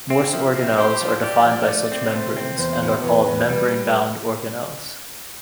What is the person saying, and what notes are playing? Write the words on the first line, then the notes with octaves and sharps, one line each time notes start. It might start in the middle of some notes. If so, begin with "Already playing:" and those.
Most organelles are defined by such membranes, and are called "membrane-bound" organelles.
C4
F3 E5
C4
G4 C5
F3
G4 D5
F3
A3
C4
A3 C5
C4
E2 C5
B2
E2 B4
E2
G3 B4